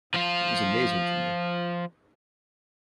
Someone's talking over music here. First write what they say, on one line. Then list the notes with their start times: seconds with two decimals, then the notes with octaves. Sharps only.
That was amazing to me.
0.14 F3 F4